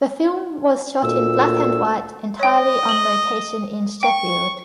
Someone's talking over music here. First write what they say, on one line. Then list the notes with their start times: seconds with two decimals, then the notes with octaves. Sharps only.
The film was shot in black-and-white entirely on location in Sheffield.
1.04 D2 A#2 E6
2.39 C#5 D#5 G5
2.89 F#7 G7
4.03 G5 C#6